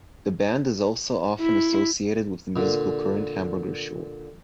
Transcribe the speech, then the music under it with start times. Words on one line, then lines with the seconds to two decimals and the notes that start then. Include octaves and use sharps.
The band is also often associated with the musical current Hamburger Schule.
1.39 E4
2.56 A#2 D3